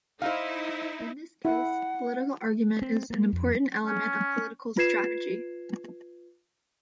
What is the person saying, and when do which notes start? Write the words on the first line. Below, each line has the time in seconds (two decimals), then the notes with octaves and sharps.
In this case, political argument is an important element of political strategy.
0.22 D#4 E4 C5 F5
1.45 E4 F#5
2.82 C4
3.10 A#3
3.33 F2
3.86 C#4
4.77 F4 B4 G#6 C7 E7